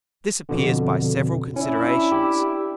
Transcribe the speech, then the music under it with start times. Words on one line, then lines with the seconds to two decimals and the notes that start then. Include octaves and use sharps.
This appears by several Considerations.
0.49 F2 B2 D3
1.56 C#4 D4 E4
2.12 G4